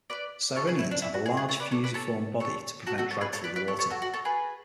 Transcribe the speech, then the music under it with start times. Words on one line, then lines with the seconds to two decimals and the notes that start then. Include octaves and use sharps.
Sirenians have a large, fusiform body to prevent drag through the water.
0.10 B4 D5
0.56 A4 C#5
0.67 G#4 B4
0.79 E4
0.91 D4
1.02 E4
1.14 F#4
1.26 G#4
1.37 G#4 B4
1.49 A4 C#5
1.60 B4 D5
1.71 A4 C#5
1.84 B4 D5
1.94 A4 C#5
2.40 A4 C#5
2.87 F#4 A4
2.98 F#4 A4
3.11 A4 C#5
3.21 G#4 B4
3.33 A4 C#5
3.44 B4 D5
3.56 B4 D5
3.68 A4 C#5
3.79 A4 C#5
3.90 F#4 A4
4.02 F#4
4.14 A4 C#5
4.25 G#4 B4